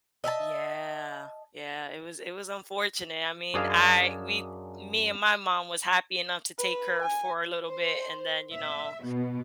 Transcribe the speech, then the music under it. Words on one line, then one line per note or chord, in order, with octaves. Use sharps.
Yeah, yeah, it was it was unfortunate, I mean, I we me and my mom was happy enough to take her for a little bit and then, you know,
D#5 E5 G#5 A5
F#2 D4 G#4 D#5 F5
B4
G#5
C5
E5
B2